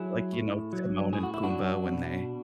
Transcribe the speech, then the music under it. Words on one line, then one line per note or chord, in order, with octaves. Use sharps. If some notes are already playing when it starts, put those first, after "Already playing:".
like, you know, Timon and Pumbaa when they
Already playing: F#3 E4 G#4
A2
F#3
A2 G#4
F#4
E4
D4 F#4
F#3
B2